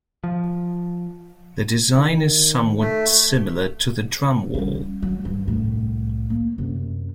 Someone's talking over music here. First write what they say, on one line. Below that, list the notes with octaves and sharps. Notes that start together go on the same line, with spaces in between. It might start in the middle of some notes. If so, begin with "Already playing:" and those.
The design is somewhat similar to the drum wall.
F3
D#3
A3
G3 C#4
F#3
G2
C2 A2
A#3
F#2 C3